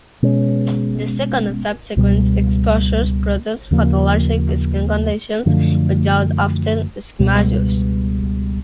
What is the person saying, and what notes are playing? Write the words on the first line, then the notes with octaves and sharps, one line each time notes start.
The second and subsequent exposures produce photoallergic skin conditions which are often eczematous.
B2 G#3 C#4
C#2 B2 G3
D#2 C#3 F3 A#3
F#2 D3 F3 A3
C#2 B2 G3 B3